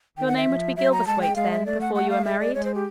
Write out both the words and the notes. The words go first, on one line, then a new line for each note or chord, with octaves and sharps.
"Your name would be Gilverthwaite, then, before you were married?"
D#3 G5
F#5
E5
F3
F#3 E5
A#5
G#3 A5
G5
G#3 F5
E5
A3 D5
F#5
F#5
F5
G#3 E5
D5
G#3 C#5
C5
G4